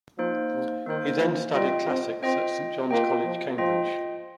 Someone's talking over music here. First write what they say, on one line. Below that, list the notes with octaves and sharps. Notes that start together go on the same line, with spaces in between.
He then studied classics at Saint John's College, Cambridge.
F3 A#3 D#4 C5
C3
D#3 A#3 D#4 C5
F3
G3 F4 D#5 G5
C4
C4 F4 D#5 G5
A#3 F4 D#5 G5
F3
F3 F4 D#5 G5